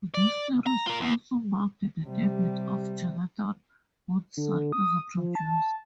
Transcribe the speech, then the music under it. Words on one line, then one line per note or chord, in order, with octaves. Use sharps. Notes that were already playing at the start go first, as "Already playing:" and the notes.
This series also marked the debut of Jonathan Goodson as a producer.
D5
A#5
F4 A#4
E2
C3 G3
D3
D#6
F3
A5